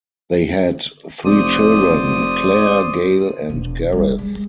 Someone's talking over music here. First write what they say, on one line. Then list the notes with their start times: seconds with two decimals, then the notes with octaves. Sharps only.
They had three children: Claire, Gail and Gareth.
1.25 F1 C5 D5 D#6
3.50 E1
3.92 G3
4.18 G#3